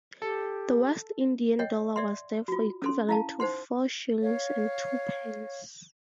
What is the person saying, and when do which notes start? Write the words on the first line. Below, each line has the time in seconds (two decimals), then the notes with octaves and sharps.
The West Indian dollar was therefore equivalent to four shillings and two pence.
0.22 G4 A4
1.59 C#5 D#5 F#5 G5
1.96 D5 E5 F#5 C6
2.48 F4 F#4
2.82 C#4 A4 C6
3.09 E4 F5 A5
3.40 D#4 C5 F#5 C6
4.22 C#5 F5